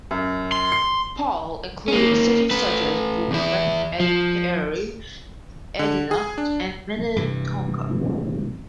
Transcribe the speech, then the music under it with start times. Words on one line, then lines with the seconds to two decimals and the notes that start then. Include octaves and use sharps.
Paul including cities such as Bloomington, Eden Prairie, Edina and Minnetonka.
0.11 F#2
0.52 C6
0.72 C7
1.88 A#3 C#4
2.51 A3 B4
3.31 E2 E4
4.00 F3
5.79 D3
6.11 G#4
6.38 D4
7.16 G2 C3 E3